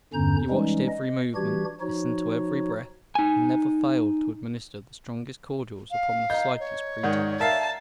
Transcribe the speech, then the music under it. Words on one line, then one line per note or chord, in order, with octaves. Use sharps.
He watched every movement, listened to every breath, and never failed to administer the strongest cordials upon the slightest pretext.
E2 G2 D3 C#4 A#5 G6
E3 G3 G#3 C#4 D#4
D#5
E3 G3 D4 F#4 G4 G#6
F3 D#4 F#4 C#5
D#4 G#5
F5
D#5 A#5 G6
C#5
G#2 D#3 D5 F#5 G6
A#4 E5 F5 A5